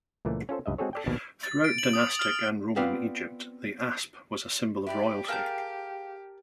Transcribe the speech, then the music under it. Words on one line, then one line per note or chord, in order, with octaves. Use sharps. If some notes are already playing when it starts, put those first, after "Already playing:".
Throughout dynastic and Roman Egypt, the asp was a symbol of royalty.
C#2 A#2 E3 A3
C#4 F4 A4 C5
C#2 G2 D#5 E5
G#3 C4 F#4 G#4 A4 C#5
A4 D5 G5
A#1 D#2 B2
A6
D7
F#7
D#6
F6
B3 C4 F4 B4 D5 F5
E4 G4 B4 D5
G#4 A#4 F5 G5 A5 G6